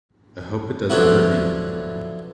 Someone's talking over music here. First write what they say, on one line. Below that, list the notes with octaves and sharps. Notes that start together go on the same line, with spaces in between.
I hope it doesn’t hurt me.
D3 F3 F#3 B3 E4